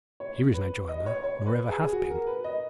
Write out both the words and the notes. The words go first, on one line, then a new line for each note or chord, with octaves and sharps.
Here is no Joanna, nor ever hath been.
C#5
B4
D#5
C#5
C#5
B4
G#4
G#4
F#4
A#4
B4
D#5